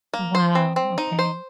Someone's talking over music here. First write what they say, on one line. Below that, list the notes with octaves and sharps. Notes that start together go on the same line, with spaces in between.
Wow, okay.
A#3
C5
C4
C4
D#4
C5